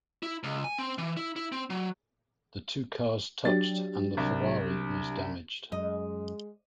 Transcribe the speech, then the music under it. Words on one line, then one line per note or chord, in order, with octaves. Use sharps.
The two cars touched and the Ferrari was damaged.
E4
C#2
G#5
C4
E3
E4
E4
C4
F#3
F#3 D4 G4 A6
C2
F#2 G#3 D#5